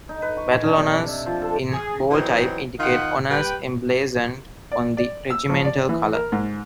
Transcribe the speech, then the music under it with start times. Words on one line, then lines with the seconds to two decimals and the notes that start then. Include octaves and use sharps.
Battle honours in bold type indicate honours emblazoned on the regimental colour.
0.09 D#4
0.22 B4
0.37 C#6
0.52 G#5
0.64 D4
0.77 C3
0.92 D5
1.08 E5
1.26 F3
1.42 A4
1.72 G#4
2.11 E3 F#3 C4 D#4
2.80 D#3 F4 D#5 F#5
3.30 G3 B4 G5
4.72 D5
4.97 D5
5.30 E6
5.49 F3
5.65 D5
5.89 E3
6.13 A#4
6.32 G#2